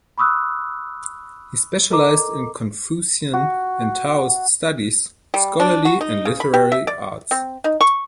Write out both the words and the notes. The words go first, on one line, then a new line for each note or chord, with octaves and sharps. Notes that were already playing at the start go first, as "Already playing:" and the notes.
He specialised in Confucian and Taoist studies, scholarly and literary arts.
B5 C#6 D#6 E6 F#6
A4 A#4 D#5 A#5 D6
F#4
G3
D4
F#4
D#4
C#3
B5
G4
E5
D5
C4
D#4
C#6